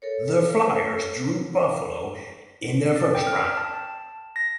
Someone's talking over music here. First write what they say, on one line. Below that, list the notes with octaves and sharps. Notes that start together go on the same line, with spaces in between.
The Flyers drew Buffalo in the first round.
A4 A#4 C#5
D5
G5
F6
A5
A#6